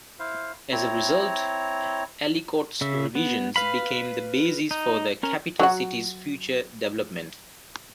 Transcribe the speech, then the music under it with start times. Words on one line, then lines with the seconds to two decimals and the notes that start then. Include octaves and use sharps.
As a result, Ellicott's revisions became the basis for the capital city's future development.
0.19 E4 C5 F5
0.72 C4 E4 C#5 A#5
2.81 C#3 E5
3.15 B3
3.56 B4 F5 B5
4.71 D#4
5.23 C#4 A#4
5.60 F#3 F#4